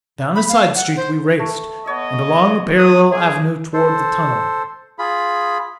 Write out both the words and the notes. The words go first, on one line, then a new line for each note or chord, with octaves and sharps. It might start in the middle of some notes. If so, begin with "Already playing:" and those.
Down a side street we raced, and along a parallel avenue toward the tunnel.
B5
F5
F#5
C5
A3
B3 C#5 D#5 E6
D#6
G#3 G#4 D6
A4 C5
F4 G#4 B5